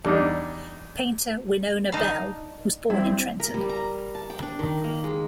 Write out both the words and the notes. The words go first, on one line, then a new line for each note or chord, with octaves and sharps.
Painter Wenonah Bell was born in Trenton.
E2 G3 D4 D#4
D4 D#4 F5 A5 B5
G2 C4 E4
A#4
G3
A#5
A5
G5
D4
D#3
A#3
G#3